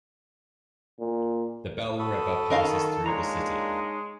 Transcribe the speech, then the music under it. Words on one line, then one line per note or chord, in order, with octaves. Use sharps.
The Belle River passes through the city.
A#2
F#4 A4 B5 D#6
D#3 A#4 D#5 F5
G#3 A#3 D4 D#4 F4 C#5 A#5